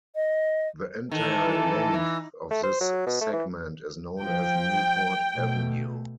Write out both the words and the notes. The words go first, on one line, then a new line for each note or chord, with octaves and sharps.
The entire length of this segment is known as Newport Avenue.
D#5
D#3 E3 A4
E3
A3
C5
F#3
B2
A3
E3
F3 G5
B2 A3